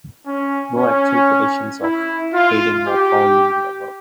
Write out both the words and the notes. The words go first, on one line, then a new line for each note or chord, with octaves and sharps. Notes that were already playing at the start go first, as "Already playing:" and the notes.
No actual quotations of Haydn are found in the work.
C#4
C#4
E4
F4
G4